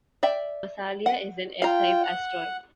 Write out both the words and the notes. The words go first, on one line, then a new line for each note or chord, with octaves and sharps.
Massalia is an S-type asteroid.
D5 E5 G5
F#5
F4 F5 G5 A#5
F#5